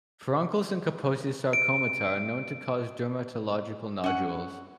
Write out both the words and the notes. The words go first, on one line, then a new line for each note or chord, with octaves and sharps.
Furuncles and Kaposi's sarcomata are known to cause dermatological nodules.
D7
C#4 F#5